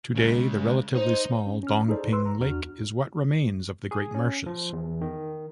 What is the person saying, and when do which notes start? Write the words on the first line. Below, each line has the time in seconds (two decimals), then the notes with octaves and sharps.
Today the relatively small Dongping Lake is what remains of the great marshes.
0.15 C#3 G#3
0.95 D#4 C5
1.47 C#4
1.63 C#4 F6
1.88 D#4 G#4 A4 C5 D5
2.12 B4 C6 E6
2.26 A#5
2.39 E2 D4 F#4 F6
3.91 G#4
4.15 C#4
4.46 F3
4.73 E2
5.01 D#3